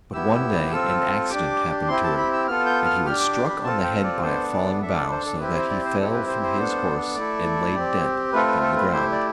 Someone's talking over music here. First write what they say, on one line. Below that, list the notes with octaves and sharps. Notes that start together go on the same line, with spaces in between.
But one day an accident happened to him, and he was struck on the head by a falling bough, so that he fell from his horse and lay dead upon the ground.
B3 E4 G4 E6
C4 F4 A4
D4 G4 D6
C4 E4 G4 C6
A5
B5
E6
B3 F4 A4 F6
G6
F6
D4 G4 F6
D6
D6
B5
C4 F4 A4 A5
G5
D5
B3 D4 A4 C5
D5
D4 A4 E5
D5
C5
A4
C4 E4 G4 B4
C5
D5
C5
C4 E4 G4 A4
B4
C5
C5
B3 D4 A4
A3 E4 A4 D5
C4 G4
A3 C4 F4 A4 B4
B4
A4
B4
A3 E4 G4 C5
D5